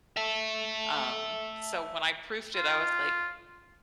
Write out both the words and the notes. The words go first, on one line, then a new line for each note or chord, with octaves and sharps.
um, so when I proofed it, I was like,
E5 A5
F4